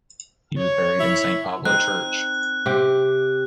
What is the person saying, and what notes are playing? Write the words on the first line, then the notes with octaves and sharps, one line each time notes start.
He was buried in San Pablo Church.
C#5
E4
C4 D#4 F#6
C3 G4 G5